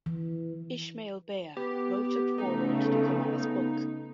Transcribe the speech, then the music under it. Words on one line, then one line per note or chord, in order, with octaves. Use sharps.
Ishmael Beah wrote a foreword to Kamara's book.
E3
B3 G4
C#3 A3 D#4